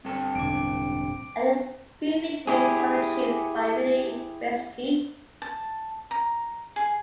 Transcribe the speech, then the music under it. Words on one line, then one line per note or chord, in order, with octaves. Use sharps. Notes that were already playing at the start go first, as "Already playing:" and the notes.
At least three victories were achieved by Willi Reschke.
G2 C4 A4
E1 A1 D3 D6 D7
E4 G4 G#4
A5
A#5
G#4